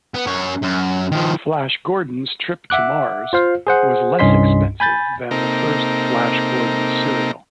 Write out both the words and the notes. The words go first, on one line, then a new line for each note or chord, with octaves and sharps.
"Flash Gordon's Trip to Mars" was less expensive than the first Flash Gordon serial.
B3
F#2 C#5
F#2
D#3 F3
E5 F#5 D6 F#6
F4 C5 F5
G#4 C5 F#5
C2 G2 C#4 D#5 C6 B6
G#5 B5 G6 A6
C3 A#3 C4 D#4 A4 A#5